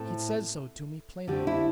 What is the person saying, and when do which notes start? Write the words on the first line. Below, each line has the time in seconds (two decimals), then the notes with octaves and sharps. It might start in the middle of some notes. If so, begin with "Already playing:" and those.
He said so to me, plainly.
Already playing: A2 A3 C4 A4
1.28 D3 A3 C4 G4
1.47 E4